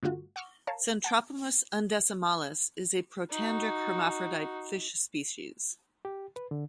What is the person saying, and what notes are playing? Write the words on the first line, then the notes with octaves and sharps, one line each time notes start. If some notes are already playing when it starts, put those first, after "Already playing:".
"Centropumis undecimalis" is a protandric hermaphrodite fish species.
G2 D3 A3 F4 F#4
F#5 C#6 D6 E6 F6
A#4 C#5 F5 A5
F#5 A5 D6 G6
D#4 F#4
G4
B4
D3